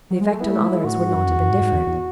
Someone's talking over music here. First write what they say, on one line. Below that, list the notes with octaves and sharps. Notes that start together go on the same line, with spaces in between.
The effect on others would not have been different.
F#3
G#3
A3
B3 E4
A3
G#3
A3
F#3
G#3
A2 F#4
G#2
F#2
E2
F#2
G#2
G#2
E2
E2